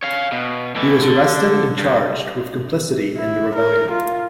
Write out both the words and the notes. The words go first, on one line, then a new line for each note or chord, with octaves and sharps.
He was arrested and charged with complicity in the rebellion.
C#5 F5
B2
A2 E3
D3
G2
E4
A#4
F4